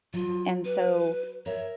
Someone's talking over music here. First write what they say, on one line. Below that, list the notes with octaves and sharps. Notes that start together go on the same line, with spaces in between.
and so
F#3 F4
B4
A#4 C#5 E5